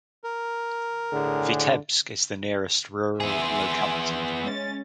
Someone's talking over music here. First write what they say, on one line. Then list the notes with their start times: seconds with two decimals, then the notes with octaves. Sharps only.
Vitebsk is the nearest rural locality.
0.24 A#4
1.12 A2 D3 G#4
3.20 B3 G#4 E5 G#5 C6
4.45 G#3 C#4 A6